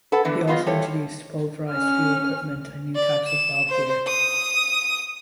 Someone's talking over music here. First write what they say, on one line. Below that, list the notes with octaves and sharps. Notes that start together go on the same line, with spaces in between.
He also introduced pulverised fuel equipment and new types of valve gear.
A4 B4 F#5
D3 E3 B3
F#3 B3 F4 G#4 D#5
G3 A3 C#5
C#4 F6
D5
E7
C5
D#6